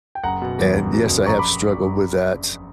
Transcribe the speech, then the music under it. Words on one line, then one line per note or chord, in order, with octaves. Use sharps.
And, yes, I have struggled with that,
G5
F#1 F#5 A#5
B2
E2
F#1
B2
F#1
A#1 A#5 C#6
B5 D6